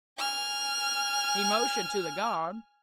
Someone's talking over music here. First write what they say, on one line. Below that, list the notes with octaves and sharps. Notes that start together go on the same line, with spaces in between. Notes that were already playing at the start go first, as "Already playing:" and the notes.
He motioned to the guard.
G#5 F6